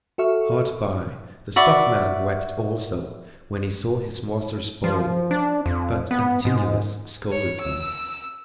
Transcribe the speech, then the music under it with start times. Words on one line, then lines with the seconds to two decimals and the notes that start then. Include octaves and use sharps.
Hard by, the stockman wept also when he saw his master's bow, but Antinous scolded them.
0.18 F#4 A4 E5 C#6 F6
1.56 F#4 D5 E5 B5
4.84 F3
5.31 D4
5.66 F2
6.11 B3
6.45 G#2
7.31 C#5
7.61 E6